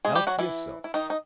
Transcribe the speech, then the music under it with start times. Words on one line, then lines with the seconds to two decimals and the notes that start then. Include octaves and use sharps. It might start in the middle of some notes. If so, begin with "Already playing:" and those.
"Help yourself."
0.05 G#3 G#4
0.15 G3 G4
0.27 F#3 F#4
0.39 E3 E4
0.84 E4
0.94 D#3 D#4
1.10 D#4